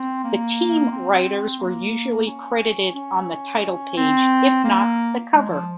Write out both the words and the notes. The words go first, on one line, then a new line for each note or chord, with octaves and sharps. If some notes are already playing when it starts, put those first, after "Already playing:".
The "team" writers were usually credited on the title page, if not the cover.
Already playing: C4
A#3
C4
A#3
C#4
C#4
C4
A#3
G#3
F3